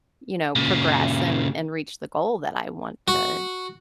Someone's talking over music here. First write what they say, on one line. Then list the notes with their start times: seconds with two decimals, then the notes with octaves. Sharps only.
you know, "progress and and reach the goal that I want to
0.56 A#2 C#3
3.08 F#4